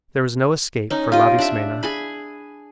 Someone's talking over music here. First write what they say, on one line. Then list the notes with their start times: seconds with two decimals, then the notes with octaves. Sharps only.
There was no escape for Labismena.
0.90 C#4 D#4
1.12 F4 G4 D#5
1.39 D4 E5
1.83 G#4 G#5 B5